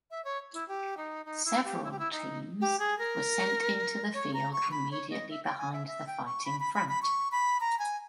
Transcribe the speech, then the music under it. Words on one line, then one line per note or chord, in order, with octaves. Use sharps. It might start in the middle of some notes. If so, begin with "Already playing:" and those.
Several teams were sent into the field immediately behind the fighting front.
E5
C#5
E4
G4
D#4
D#4
E4
G4
E4
G4
E4
D#4
G4
G#4
A#4
C#5
A#5
C#6
B5
C#5
D#5
E5
G5
G#5
E5
E5
G5
C#6
B5
B5
B5
B5
C#6
B5
A#5
G#5